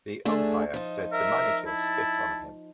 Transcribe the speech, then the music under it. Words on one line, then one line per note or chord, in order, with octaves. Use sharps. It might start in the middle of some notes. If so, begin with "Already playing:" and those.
The umpire said the manager spit on him.
A3 D4 G#4
F3 D#4
A#4 E5
E4 A5